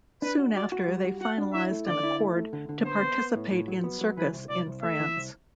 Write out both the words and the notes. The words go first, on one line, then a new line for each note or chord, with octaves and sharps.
Soon after, they finalized an accord to participate in circus in France.
D4 B4
F#4
F#4 D5
F#4
G3
F#4
F#4 F#5
D4
E4 E5
A3
D3 D5
E4
A3
A3
D3
D3
B3 C5
B3
B3
A2
A2
F#3
B3
F#3
E3 B4
C2
C2 D5
C2
A3 E5
E3
C2